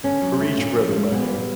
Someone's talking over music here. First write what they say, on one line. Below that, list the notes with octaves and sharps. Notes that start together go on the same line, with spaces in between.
preach, brother man.
D3 C#4
F#3
A3
A#2
F3
G#3
A#2 B3
G3